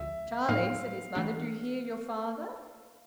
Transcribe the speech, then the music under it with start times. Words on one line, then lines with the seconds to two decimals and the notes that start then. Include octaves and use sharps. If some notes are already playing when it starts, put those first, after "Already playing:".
"Charlie," said his mother, "do you hear your father?"
Already playing: D2 D3 F3 G#3 C4 E5
0.48 A2 F#3 A#3 D#4 F5
1.15 E3 A3 D4 G4